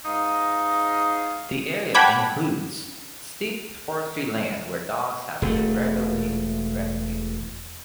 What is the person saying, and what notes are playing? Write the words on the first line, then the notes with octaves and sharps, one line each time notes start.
The area includes steep forestry land where dogs have been regularly rescued.
G#2 D#4 D#5 F5
F#5 G5 A5 B5 D6 G#6
E1 A3